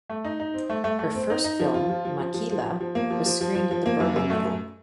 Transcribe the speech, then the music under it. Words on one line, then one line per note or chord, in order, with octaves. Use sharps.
Her first film "Maki’la" was screened at the Berlinale.
A3
D#4
D#4
C4
A3
A3
A3
C4
D#4
D#4
F3
F4
F3
F3
F3
F3
F3
F3
F3
A#3
F3
F3
F3
F3
F3
A#3
F#2
F#2
A3
F#2